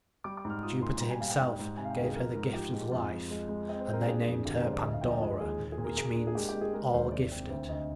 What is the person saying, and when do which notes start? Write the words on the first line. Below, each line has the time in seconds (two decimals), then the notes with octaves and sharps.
Jupiter himself gave her the gift of life, and they named her Pandora, which means "all-gifted."
0.24 G3 D6
0.37 D6
0.45 G#2
0.50 F6
0.63 F4 D#6
0.82 A#2 C6
1.01 G3 A#5
1.10 G#5
1.20 G3 F5
1.30 G5
1.40 G#2
1.59 G#2
1.77 C3 G#5
1.85 F5
1.90 G5
1.97 D2
2.03 G#4
2.16 F3 A#4
2.35 G#2 A#4
2.53 F3 G4
2.73 G#3 F4
2.92 F2 F4
3.11 F2
3.31 G#3
3.49 G#3
3.69 C4 D#5
3.81 C5
3.87 C4
3.93 A#4
4.06 D4 G#4
4.26 F2
4.45 D3 G4
4.54 A#4
4.63 G#3 C5
4.73 D5
4.82 D2 D#5
4.93 F5
5.01 F3 G5
5.11 D#5
5.21 G#3 G#4
5.40 D#2 G#4
5.59 A#2
5.72 G#4
5.78 A#2
5.84 A#4
5.97 A#3 G#4
6.16 D4
6.27 G#4
6.35 G#3 G4
6.49 G4
6.55 G#3
6.61 G#4
6.73 G#3 A#4
6.93 D#2 C5
7.11 C2 D5
7.32 C4
7.50 D2 C5
7.69 D2 D#5